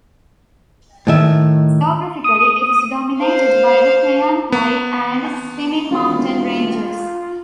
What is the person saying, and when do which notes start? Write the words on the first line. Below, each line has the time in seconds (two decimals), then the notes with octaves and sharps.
Geographically, it is dominated by the Tiantai and Siming mountain ranges.
1.07 A2 D#3 E5
2.24 D#6
3.18 C5 F5
4.52 B3
5.91 E1 F4